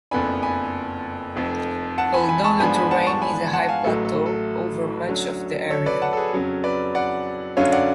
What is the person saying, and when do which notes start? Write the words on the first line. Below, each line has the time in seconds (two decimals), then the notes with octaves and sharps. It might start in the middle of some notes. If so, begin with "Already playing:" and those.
Although the terrain is a high plateau over much of the area.
0.11 F#1 F2 F3 B3 D4 G#5 B5
0.43 G#5 B5
1.36 F1 F2 F3
1.98 F#5 A5
2.14 G#5 B5
2.29 G#5 B5
2.44 A5 C#6
2.60 G#2 F3 B3 D4 G#5 B5
2.75 G#5 B5
2.91 F#5 A5
3.07 A5 C#6
3.22 G#5 B5
3.53 F#5 A5
3.69 F5 G#5
3.84 A1 A2 F#3 A3 A4
4.05 A4
4.26 A4
5.09 D2 D3 F#3 C#4
5.70 A4 C#5
5.86 B4 D5
6.02 F#5 A5
6.13 A4
6.17 G#4 B4
6.33 F2 C#3 F#3 C#4
6.64 B4 D5
6.95 D5 F#5
7.57 F#2 D3 F#3 C#4 C#5 F5
7.72 D5 F#5